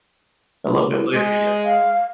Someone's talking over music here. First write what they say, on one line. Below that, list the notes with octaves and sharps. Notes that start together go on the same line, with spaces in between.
a little bit later. Yeah.
G#3
F5